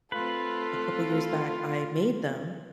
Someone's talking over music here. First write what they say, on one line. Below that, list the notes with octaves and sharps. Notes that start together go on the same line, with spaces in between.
a couple years back, I made them,
A3 C4 F4 A4 B4